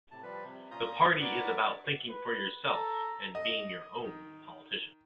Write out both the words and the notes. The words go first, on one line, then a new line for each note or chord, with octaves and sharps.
The party is about "thinking for yourself" and "being your own politician".
A2 C3 A5
F3 G3 B4
C3
A#2 C#4 F4 A#5 D#6 G6
F#4 A#4 B4 C#5 D5 F#5
D4
B4
A4 A#5
D#5
D#3